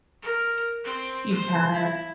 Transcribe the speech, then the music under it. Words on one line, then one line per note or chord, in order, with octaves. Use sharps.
You kinda
A#4
C4
C5
E4